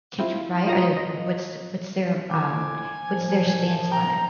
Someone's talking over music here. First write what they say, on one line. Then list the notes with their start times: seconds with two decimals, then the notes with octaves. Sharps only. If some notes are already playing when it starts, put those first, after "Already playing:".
to try it? Are they what's what's their, um what's their stance on it?
0.19 C4 E4 F4
0.65 F#3 F4 F5 A#5 D#6
0.96 D#5
2.31 F2 E4 G#5 D6
3.09 C2 A2 F3
3.91 G5 A#5